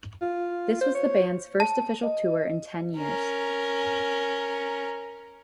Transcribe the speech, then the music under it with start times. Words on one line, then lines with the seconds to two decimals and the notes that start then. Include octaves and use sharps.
This was the band's first official tour in ten years.
0.21 F4
0.81 C5
0.95 C#5
1.60 A5
2.03 D#5
2.97 C#4 A#4